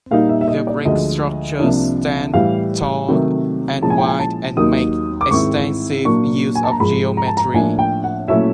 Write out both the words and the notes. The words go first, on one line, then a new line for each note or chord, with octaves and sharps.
The brick structures stand tall and wide, and make extensive use of geometry.
A#2 G3 A#3 D#4 F5
E5
E5
D#5
D5
D2 D3 F3 G#3 D#5
C2 C3 F3 A#3 D4
A2 E3 G3 F5
C3 D#3 F#3 A3
A#2 F3 G#3 C#4 E4 A5
G#5
G5
G#5
A5
D#2 D#3 F#3 A#3 D#4 D#6
D6
G#2 D#3 G#3 C4 E4 C#6
A#2 F#3 A#3 D4 C#6
G#5
A5
A#5
G#2 F3 G#3 B5
A#5
A5
A#5
A2 F3 A#3 D4 G#5
G5
F#5
A#2 F#3 A3 C#4 E4 E5